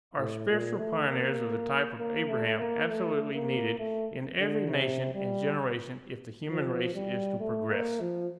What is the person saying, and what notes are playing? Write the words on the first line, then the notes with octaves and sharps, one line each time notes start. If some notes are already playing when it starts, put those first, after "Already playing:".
Are spiritual pioneers of the type of Abraham absolutely needed in every nation and generation if the human race is to progress?
A2
A#2
A3
A#3
A#3
A3
A#3
A3
A#3
A3
D3
C3
G3
F3
G3
A3
A#3
F3